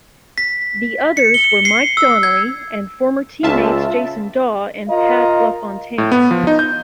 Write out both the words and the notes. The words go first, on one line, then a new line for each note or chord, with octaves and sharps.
The others were Mike Donnelly and former teammates Jason Dawe and Pat LaFontaine.
B6
C#7
G7
C7
E6
G#6
C#2 F4 E5 A5
F4 A#4 D#5 F5 A#5
A2
B3
F3
D#4
G6